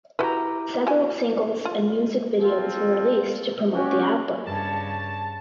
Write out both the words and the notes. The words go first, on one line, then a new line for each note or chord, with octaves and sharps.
Several singles and music videos were released to promote the album.
E4 F#4 G4 B4 A#5
F#4 G#5
F4
C4 F4 A4
C#4 F#4 G4
G2 C#3 C#5 A5